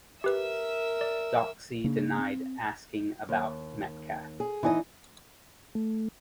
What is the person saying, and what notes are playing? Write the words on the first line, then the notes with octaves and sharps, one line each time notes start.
Doxey denied asking about Metcalfe.
G4 A#4 B4 E5 E6
D5
C#3 A#3 D4
C4
D#2
G#4
E3 D#4 E4 D#5 G#5
A3